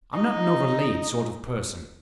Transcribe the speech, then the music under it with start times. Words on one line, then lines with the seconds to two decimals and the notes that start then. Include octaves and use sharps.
I'm not an overlaid sort of person.
0.14 D#4